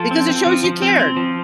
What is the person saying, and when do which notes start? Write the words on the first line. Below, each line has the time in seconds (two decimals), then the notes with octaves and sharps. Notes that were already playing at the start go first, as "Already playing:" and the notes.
Because it shows you cared.
Already playing: F3 F4 A4
0.11 C4
0.29 C4
0.46 F3
0.64 F3
0.82 C4
1.00 C4
1.16 F3